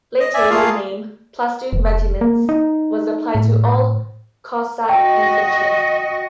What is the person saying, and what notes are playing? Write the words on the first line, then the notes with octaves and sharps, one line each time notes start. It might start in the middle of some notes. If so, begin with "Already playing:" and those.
Later the name "plastoon regiments" was applied to all Cossack infantry.
D#5
D5 E5 G#5
A3 A#3 F4 G#4 F5
F1
A#3
D#4
A2
F#4 D#5 G5